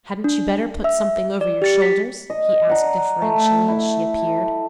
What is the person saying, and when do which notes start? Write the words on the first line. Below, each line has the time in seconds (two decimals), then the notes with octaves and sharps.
"Hadn't you better put something over your shoulders?" he asked deferentially as she appeared.
0.24 D4
0.84 E5 E6
1.41 D5
1.62 G4 A6 C#7
1.82 B6
2.30 D#5
2.67 D5 F#5 A#5
3.22 A3
3.68 E4 E5